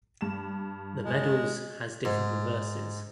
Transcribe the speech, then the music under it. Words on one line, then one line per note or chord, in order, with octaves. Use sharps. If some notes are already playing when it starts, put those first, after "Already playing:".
The medals has different reverses.
G2 E7
G#3
G#2